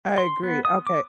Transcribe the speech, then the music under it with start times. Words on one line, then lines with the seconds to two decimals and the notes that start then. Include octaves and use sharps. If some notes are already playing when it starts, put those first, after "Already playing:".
I agree, okay.
0.18 C6
0.43 B3
0.65 D#6
0.87 D6